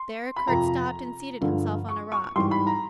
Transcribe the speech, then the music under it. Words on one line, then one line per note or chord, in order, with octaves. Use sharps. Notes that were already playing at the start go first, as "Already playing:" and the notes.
There Kurt stopped and seated himself on a rock.
Already playing: C6
B5
F2 C3 F3 A#5
G2 D3 F3
C#6
C#6
G#2 E3 G3 C6
B5
A#5